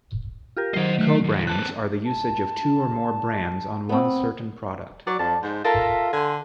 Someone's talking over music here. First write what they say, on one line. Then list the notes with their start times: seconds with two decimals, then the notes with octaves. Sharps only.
Cobrands are the usage of two or more brands on one certain product.
0.56 F4 G4 A#4
0.74 D#3 F#3 C5 D#5 C7
0.98 A3
1.24 B1
1.47 A#3 C4 A5 F#6
2.05 A5
3.89 B3 C4
5.07 F#3 D5 C#6
5.19 F2 A5
5.43 G#2 C5
5.65 F4 A4 A#4 E5
6.13 D3 G#5 C6